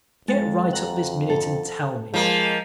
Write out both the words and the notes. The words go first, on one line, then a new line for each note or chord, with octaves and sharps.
Get right up this minute and tell me.
F2 G#3 A6
F#5 A#5
A4
F3 G#3 A#3